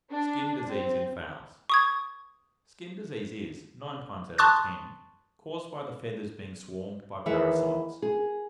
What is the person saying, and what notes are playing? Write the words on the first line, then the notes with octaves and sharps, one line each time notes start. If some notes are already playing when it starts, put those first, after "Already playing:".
SKIN-DISEASE IN FOWLS.--Skin-disease is, nine times out of ten, caused by the feathers being swarmed by parasites.
D4
C4
C#6 D#6 G#6
A5 C6 C#6 D#6 F#6 A6
D#2 E3 G#4 B4 E5 F#5
G#4